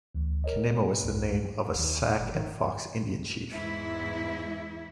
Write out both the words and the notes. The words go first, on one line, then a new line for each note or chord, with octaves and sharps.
Quenemo was the name of a Sac and Fox Indian chief.
D2 E3
A#4 C#5 D#5
C2 F#2 A2
D#2
F#1
D#3
E2 G#2 E4